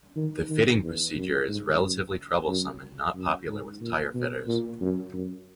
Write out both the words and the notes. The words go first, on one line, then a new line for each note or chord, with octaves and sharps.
The fitting procedure is relatively troublesome and not popular with tyre fitters.
D#3
D#3
E2
F#2
G#2
F#2
F#2
F#2
G#2
A#2
B2
A#2
F#2
F#2